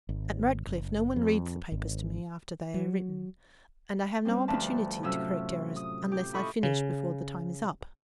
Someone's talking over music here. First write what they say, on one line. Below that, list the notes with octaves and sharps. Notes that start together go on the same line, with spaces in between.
At Radcliffe no one reads the papers to me after they are written, and I have no opportunity to correct errors unless I finish before the time is up.
G#1
F#1
F2
G#1
F#3
G3 C4 C#4
D2 G2 F3 B4 A5
A2 C3 F#3 C#4 F4 E6
D#6
G4
E4 F4 A4 D#5 B5 C#6
C#3